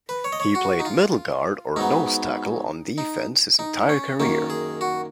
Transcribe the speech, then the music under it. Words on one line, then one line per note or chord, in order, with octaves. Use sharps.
He played middle guard or nose tackle on defense his entire career.
B4
C#5
D#5
C#5
F#4
D#4
F4
G#2 F#3 B3 D#4
D#4
D#4
C#4
F#2 D#3 A#3 C#4
G#4
F#4